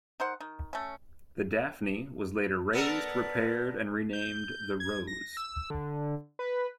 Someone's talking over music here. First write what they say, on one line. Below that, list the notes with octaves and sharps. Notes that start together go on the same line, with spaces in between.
The "Daphne" was later raised, repaired, and renamed the "Rose".
D#3 C5 F#5
D#3
A3 C#4
B3 A4 A#4 D5
G6
G#6
A#6
E6
D3
B4